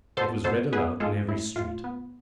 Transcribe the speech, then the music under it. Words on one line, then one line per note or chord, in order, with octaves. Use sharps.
It was read aloud in every street.
B2 A4 C5
B2 A4 C5
B3 G#4 B4
G#3 F4 A4
A2 E4
A2 F4
B3